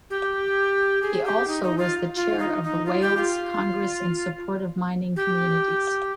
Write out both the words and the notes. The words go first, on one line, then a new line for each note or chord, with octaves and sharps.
He also was the chair of the Wales Congress in Support of Mining Communities.
G4
G#4
G4
D#4
D#4
F4
F4
D#4
D#4
F4
G4
F4
G4